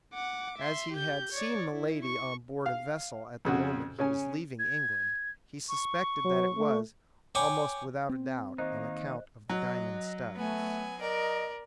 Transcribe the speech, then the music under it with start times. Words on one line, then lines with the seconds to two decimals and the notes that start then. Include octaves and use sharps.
As he had seen Milady on board a vessel at the moment he was leaving England, he suspected that it was, almost without a doubt, on account of the diamond studs.
0.13 F#5 D6
0.58 E5 C6
0.92 G4 G6
1.32 C#5 D5
1.72 E4
2.04 C#6
2.66 F5
3.45 F2 C#3 F#4
3.99 C#3 C#4 G#5
4.59 G#6
5.69 C#6
6.25 F#3
6.56 A3
7.35 C#5 G5 G#5 B5 D6 D#6
8.09 C4
8.58 D#3 A#3 D#4 C5 D#5 F#6
9.50 F#3 D#5
10.36 A3 B3 G#5
11.00 A#4 D5 D#5